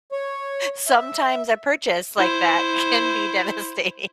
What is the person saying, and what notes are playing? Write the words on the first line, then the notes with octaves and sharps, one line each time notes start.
sometimes a purchase like that can be devastating
C#5
E5
E4 C5